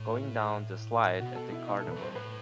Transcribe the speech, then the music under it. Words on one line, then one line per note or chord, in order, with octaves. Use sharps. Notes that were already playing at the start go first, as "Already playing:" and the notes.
Going down the slide at the carnival.
Already playing: A2
E4
B2 F#4
A4
E4
D#4
A4
E2
F#2 B4
G2 C5
A2 B4